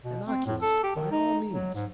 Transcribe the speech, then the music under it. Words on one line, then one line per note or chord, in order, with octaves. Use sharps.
An oculist, by all means.'
B2
C4
A2
A4
G4
D#3
D#4
F#3
G#2